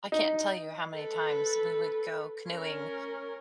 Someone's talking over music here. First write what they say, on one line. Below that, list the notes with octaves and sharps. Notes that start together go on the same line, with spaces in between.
I can't tell you how many times we would go canoeing
D#4
A4 B4
C#4 A#4